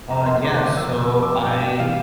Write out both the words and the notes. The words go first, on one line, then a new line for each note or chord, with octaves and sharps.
Uh, yeah, so I
F2 A#5
C6
C3 F3 D6
D6
F2 E6
E6
C3 F3
D6
G2 D6
G5
E3 G3 A#3 F5